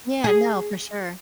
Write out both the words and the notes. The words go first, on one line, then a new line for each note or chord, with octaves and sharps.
Yeah, no, for sure.
G#4